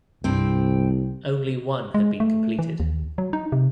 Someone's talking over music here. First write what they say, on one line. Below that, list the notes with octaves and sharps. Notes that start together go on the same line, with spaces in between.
Only one had been completed.
C2 G2 C4
G#3
A3
E3
D#2
F#3
D#4
C3